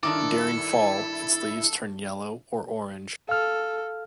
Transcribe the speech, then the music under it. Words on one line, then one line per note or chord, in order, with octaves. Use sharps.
During fall, its leaves turn yellow or orange.
G2 D#3 D4 E4 A4 D6
A4 F5 F6